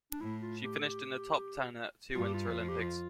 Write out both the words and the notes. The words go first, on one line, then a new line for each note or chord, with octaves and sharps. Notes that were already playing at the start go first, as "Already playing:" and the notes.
She finished in the top ten at two Winter Olympics.
D4
A2 E4
F4
G4
A4
G4
G2 F4
G4
F4
F2
G4
F4